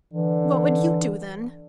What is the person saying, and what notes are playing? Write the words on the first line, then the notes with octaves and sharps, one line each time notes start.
"What would you do then?"
D3 E3